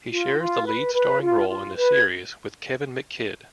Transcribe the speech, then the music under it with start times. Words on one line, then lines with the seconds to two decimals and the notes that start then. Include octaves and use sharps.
He shares the lead starring role in the series with Kevin McKidd.
0.12 F4
0.39 F4
0.66 B4
0.94 B4
1.22 F4
1.49 F4
1.76 B4
1.93 G#6